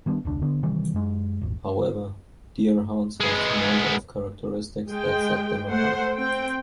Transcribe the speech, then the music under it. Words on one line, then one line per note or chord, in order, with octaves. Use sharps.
However, Deerhounds have a number of characteristics that set them apart.
D#3 G3 B3 D4
E1 C#2 D4
D3 B3
C3 D#3 E3 G3
F#2 G#3
D#1 G#1
G#3 B3
G#3 G5
A3 C5 F#5
C4 G5